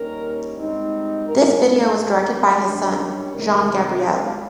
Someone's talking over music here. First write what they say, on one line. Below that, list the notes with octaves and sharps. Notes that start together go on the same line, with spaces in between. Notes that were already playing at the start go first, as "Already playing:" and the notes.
This video was directed by his son Jean Gabriel.
Already playing: D#2 D#3 G3 C#4 A#4
G#2 G3 C4 D#4
A#1 G#2 G3 A#3 A#4
G#1 G2 G3 C#4 G#4
G2 D#3 G3 C#4 G4
C2 C3 D#3 A#4
C#2 C#3 G3 F5